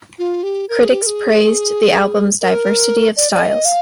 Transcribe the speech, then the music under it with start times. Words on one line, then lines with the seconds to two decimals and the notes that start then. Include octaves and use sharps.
Critics praised the album's diversity of styles.
0.19 F4
0.43 G4
0.69 A#4
0.80 G#4
0.90 G4
1.02 A#4
1.07 G#4
2.42 A#4
3.16 D5
3.32 D5
3.40 D#5
3.65 F5